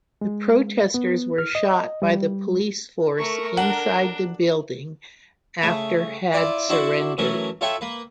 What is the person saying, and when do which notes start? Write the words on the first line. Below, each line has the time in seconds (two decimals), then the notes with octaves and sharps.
The protesters were shot by the police force inside the building after had surrendered.
0.21 G#3
0.94 B3
1.38 F6
1.55 D#5
2.02 G3
3.18 A3 A#4 C#6
3.57 D4 F#5
5.63 C#3 A3
6.33 E4 F4 D5 D6
6.69 D4 E4 F#4 C5 D5 F#5
7.18 E3 F#3 A3 C#4 A#4
7.61 F4 A4 C#5 E5 F#5 G5
7.81 A#3 B4